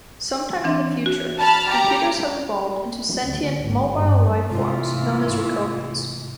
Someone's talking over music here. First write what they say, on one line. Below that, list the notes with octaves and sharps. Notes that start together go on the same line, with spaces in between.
Sometime in the future, computers have evolved into sentient, mobile life-forms known as 'Rakonans'.
E3 C4 D4
F#4
A5 B5 F6
G4 A#5
D2
G#1
G2
G#2 C3 E3 A3 F4